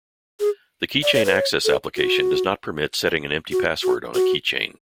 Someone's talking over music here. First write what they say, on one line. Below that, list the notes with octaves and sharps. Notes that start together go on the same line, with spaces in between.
The Keychain Access application does not permit setting an empty password on a keychain.
G#4
D5
C#5
B4
C#5
A4
F#4
F#4
F#4
F#4